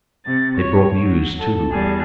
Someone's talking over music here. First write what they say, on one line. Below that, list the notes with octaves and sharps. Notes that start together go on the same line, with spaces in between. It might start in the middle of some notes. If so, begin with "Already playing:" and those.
They brought news, too.
C3 A6
C#5
F#3
A4
E2 G3 G#4 A5